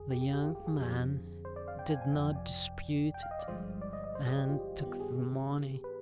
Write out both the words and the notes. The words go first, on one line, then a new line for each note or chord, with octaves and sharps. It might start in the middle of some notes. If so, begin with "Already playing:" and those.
The young man did not dispute it and took the money.
Already playing: G1 F2 D3 G#4
G4
G4
G4
F4
G4
G#4
F2 D3 F3 C4
C5
D5
F5
G5
G#5
G#5
G1 F2 C3 F3 G5
D5
G5
F5
D#5
D5
G1 G2 D3 F3 G#3 C5
D5
D#5
D#5
C5
G#4
G4
F4
F4
G2 D#3 B3 G4
G#4
B4